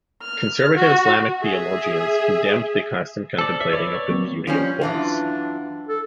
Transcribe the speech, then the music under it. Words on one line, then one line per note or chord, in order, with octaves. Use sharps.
Conservative Islamic theologians condemned the custom of contemplating the beauty of boys.
F6
F#4
G#4 E5
A4 C5 D5
D5 E5
B4 C#5 D5
F#3 A#3 C4
F3 G3 C#4
F#2 E3 D4 F4
A4